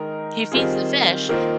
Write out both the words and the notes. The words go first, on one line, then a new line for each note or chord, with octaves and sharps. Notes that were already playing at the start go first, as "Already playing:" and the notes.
He feeds the fish,
Already playing: D#3 G#3 D#4 A#4
D#3 G3 C4 F4 G#4
D#3 A#3 F4 C5